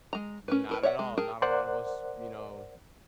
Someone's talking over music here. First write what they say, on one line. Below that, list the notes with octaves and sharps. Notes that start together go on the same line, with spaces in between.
Not at all. Not a lot of us, you know,
G#3 A#5
C#4 A#4 B4
E4 A#4 B4
C#5 D5 E5 F#5
G#3
G#4 A#4 G5 A5
A#4 C5 D5 F#5 F#6